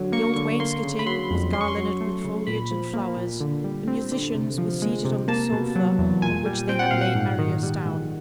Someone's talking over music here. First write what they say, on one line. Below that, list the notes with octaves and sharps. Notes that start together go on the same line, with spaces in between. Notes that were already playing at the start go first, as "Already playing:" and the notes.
The old wainscoting was garlanded with foliage and flowers; the musicians were seated on the sofa on which they had laid Marius down.
Already playing: D3 F#3
A#3 C#6
D3 C#6
A#3 C6
C#3
B5
F#3 C6
F2
C#4 C6
C#6
C6
F#3
A3
C#3
A#2 B5
F3
A#3
A#2
D3
G3
C4
D3
C3
F3
G#3
C3
A#3 A5
B2
F#3
E2
A#2 G#5
G3
C4 G5
F#5
A#2 F5
F#5
G#2
D#3
G3
G#2